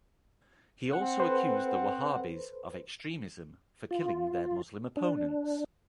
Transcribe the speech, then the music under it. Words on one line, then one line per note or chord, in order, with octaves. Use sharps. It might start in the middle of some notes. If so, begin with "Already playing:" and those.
He also accused the Wahhabis of extremism for killing their Muslim opponents.
C4 F#5
A4 B4 C5
F4
D4